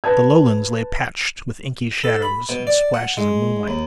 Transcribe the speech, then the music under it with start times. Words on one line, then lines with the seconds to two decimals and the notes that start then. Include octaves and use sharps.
The Lowlands lay patched with inky shadows and splashes of moonlight.
0.04 B4 A5 G#6
2.04 A4
2.22 B5
2.49 B2
2.67 D5
2.94 F#5
3.17 G#3
3.68 D#2